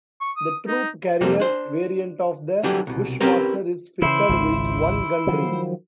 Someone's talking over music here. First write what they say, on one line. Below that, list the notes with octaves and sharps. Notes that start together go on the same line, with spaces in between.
The troop carrier variant of the Bushmaster is fitted with one gun ring.
C#6
D#6
D#4
F2 C3 G3 A3 A#3 C4
D4 C5
D3 E3 F#3 G3 D4 G4
C2 B2
C4 C#4 E4 G4 A#4 B4
C#3 E3 E4 C5
G#1 C#2
D#3 F3 F#3